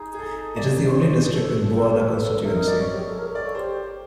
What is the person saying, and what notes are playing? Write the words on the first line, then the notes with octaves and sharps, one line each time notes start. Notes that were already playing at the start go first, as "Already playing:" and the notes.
It is the only district in Buada Constituency.
Already playing: D#4 G#4
G#4
A4
D5
G4 C#5
G#4 C5
A4
A4
A#4
A4 B4
A#4 E5
D#5
D5
C#5
G4
G#4
A4
A#4
A#4
D5
A4 C#5
G4 C5